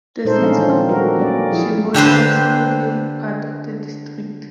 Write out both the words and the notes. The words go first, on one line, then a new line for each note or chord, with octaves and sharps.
The city of Shimoda was formerly part of the district.
A#2 G#3 A3 D#4 A4 C5
F3 C#4 D4 F5
D#3 E3 C4 D4 D#4
G3 F#4 A4 A#4
F#3 A#3 C#4 D5
F3 E4 G#4
D3 G4 B4 C5